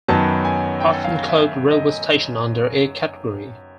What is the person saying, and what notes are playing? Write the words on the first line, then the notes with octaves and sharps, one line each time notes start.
Pathankot Railway Station under A-category.
F#2 D#3 F#3 B3 A5
G#5
G5
F5
E5
D#5